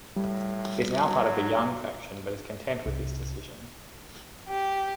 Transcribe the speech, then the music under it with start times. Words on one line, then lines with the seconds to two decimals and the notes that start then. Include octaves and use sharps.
He's now part of the Young faction but is content with his decision.
0.16 A2 G3
1.02 F#3
2.86 C2
4.47 G4